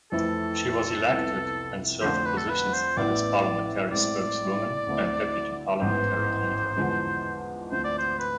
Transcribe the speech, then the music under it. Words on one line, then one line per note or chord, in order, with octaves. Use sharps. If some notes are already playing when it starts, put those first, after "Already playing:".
She was elected and served positions that is parliamentary spokeswoman and deputy parliamentary leader.
F2 E3 A3 C4 E4 A4
C2 C3 F3 B3 E4
F2 D3 A3 D4 C5
B4
A4
B4
C5
A1 A2 E3 B3 E4 D5
A2 G#3 C4 E4 D5
D2 D3 A3 C4 E4
A1 G#2 E3 B3 C5
E2 D3 F3 G#3
D2 D3 F3 A3 C4 C5
D5
C5
B4